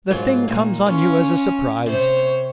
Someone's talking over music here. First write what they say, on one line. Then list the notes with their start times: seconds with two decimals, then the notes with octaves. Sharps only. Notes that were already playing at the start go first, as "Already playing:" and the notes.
The thing comes on you as a surprise.
0.10 G#2 F#3 F4
0.48 A#2 D#4
0.86 C#4 F4
1.86 C3 C5 C#5